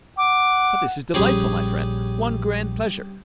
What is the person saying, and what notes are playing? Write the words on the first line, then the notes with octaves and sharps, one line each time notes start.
But this is delightful, my friend--one grand pleasure!
F#5 D6
A#1 F3 G3 C#4 G#4